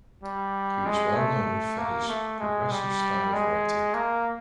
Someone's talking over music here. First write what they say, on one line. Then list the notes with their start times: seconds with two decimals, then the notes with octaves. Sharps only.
He was well known for his progressive style of writing.
0.23 G3
0.86 G#3
1.16 A3
1.78 A#3
2.09 A3
2.40 G#3
2.71 G3
3.33 G#3
3.94 A#3